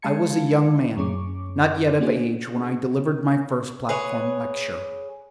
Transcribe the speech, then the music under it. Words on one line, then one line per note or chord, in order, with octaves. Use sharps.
I was a young man, not yet of age, when I delivered my first platform lecture.
G#3 F5 A5 B5 G#6 C#7
F#2 C#4 G#4 C#6 D6
A#3 B3 C#4 D4 F#4 G#4
G#4 B4 C#5